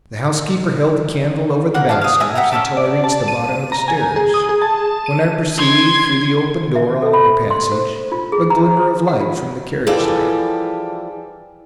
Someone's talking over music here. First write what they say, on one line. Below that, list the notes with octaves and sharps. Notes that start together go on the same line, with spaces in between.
The housekeeper held the candle over the balusters until I reached the bottom of the stairs, when I perceived through the open door along the passage a glimmer of light from the carriage lamps.
A#3 A#4 F#5
G#4 D5 F5 A5
F5 D#6
E4 G#5 A#5
E5 F#5 G5 A#5
C#4 G4 A5 D6
D5
A5
D#7
A#5
G#5
G#4
D#6
G#4
A5
D#7
C6 G#6
E5
A4
B5
C6
C5
F4
G#4
A#5
C5
F#5
F4
E3 F3 G3 G#4 A4